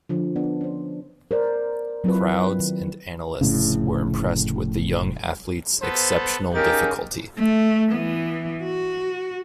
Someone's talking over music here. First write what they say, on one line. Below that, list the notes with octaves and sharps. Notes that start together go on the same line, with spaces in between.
Crowds and analysts were impressed with the young athlete's exceptional difficulty.
D3 F3
B3 D4
C#4 C5
A#4 C5 D5
F#3 C4 E4 F4 B4
D#3
F1 A2 C#3
B3 A4 B4 C5
C#3 D#4 G4 A#4 A6
A3
E3 B3
F#4